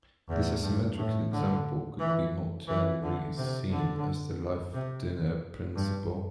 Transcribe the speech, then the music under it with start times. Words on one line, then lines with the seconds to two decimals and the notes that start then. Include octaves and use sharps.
This asymmetric example could be more generally seen as the life-dinner principle.
0.29 E2
0.62 G2
0.97 A2
1.31 D3
1.99 E3
2.67 E3
3.02 D3
3.37 C3
3.70 D3
4.73 C3
5.75 G2